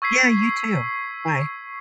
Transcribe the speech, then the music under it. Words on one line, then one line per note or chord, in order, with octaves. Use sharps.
Yeah, you too. Bye.
C#6 E6 G#6 B6 C7